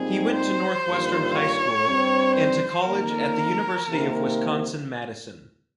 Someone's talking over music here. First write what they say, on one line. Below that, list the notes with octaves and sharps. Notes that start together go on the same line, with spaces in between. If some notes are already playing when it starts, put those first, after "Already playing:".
He went to Northwestern High School and to college at the University of Wisconsin–Madison.
Already playing: A#2 G3 C4 D#4 G4 G#4
C5
G2 D#3 G3 A#3 F4
C#5
G2 G3 C4
C5
F2 D#3 A#3 A#4
C3 D#3 A#3